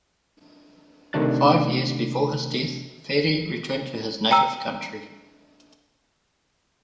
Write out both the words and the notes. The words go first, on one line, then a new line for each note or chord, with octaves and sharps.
Five years before his death Ferri returned to his native country.
C3 D#3 A3 D4 F#6 A6
G5 A#5 E6